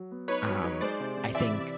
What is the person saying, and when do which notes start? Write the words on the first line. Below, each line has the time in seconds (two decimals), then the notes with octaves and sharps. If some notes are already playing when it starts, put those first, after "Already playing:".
um, I think
Already playing: F#3
0.11 B3
0.28 D#4 B4 C#5
0.46 F#3
0.64 D#4
0.81 G#3 C5 D5
1.00 C3
1.17 C3
1.35 E3 D5 E5
1.53 C3